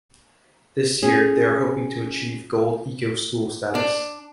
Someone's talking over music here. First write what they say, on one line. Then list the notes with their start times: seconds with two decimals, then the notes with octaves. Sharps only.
This year they are hoping to achieve Gold Eco-School status.
1.03 C#4 G#4
3.75 D4